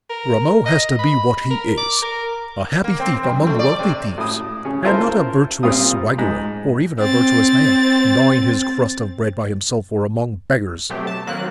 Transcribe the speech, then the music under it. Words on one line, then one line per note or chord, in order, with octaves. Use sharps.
Rameau has to be what he is--a happy thief among wealthy thieves, and not a virtuous swaggerer or even a virtuous man, gnawing his crust of bread by himself or among beggars.
A#4
D#5
B5
A#4
D6
A#4
A#3
C4
F#2
A3
D5
C3
A2 D#6
C#3 C#4
E4 F4 A4 A#4 C5
A#2 G3 C4 F4 D#6
G#2
C4 A6
B2 F#3 A3 C4 G4
A5
D#3 F#3 A#3 C4 F#6